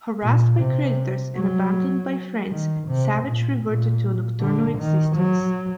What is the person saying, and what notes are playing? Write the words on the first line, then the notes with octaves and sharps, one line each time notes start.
Harassed by creditors and abandoned by friends, Savage reverted to a nocturnal existence.
A#2
C3
F#3
D#3
C3
A#2
A#2
D3
D#3
F#3